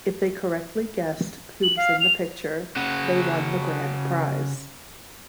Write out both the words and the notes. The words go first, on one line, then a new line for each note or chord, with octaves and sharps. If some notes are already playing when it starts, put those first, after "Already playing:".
If they correctly guessed who was in the picture, they won the grand prize.
F#7
F5
F7
C#3 F#4